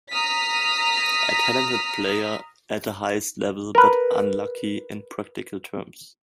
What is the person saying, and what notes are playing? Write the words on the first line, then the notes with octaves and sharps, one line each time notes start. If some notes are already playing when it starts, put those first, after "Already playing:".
A talented player at the highest level, but unlucky in practical terms.
A#5 D#6 F6 B6
A#4 B4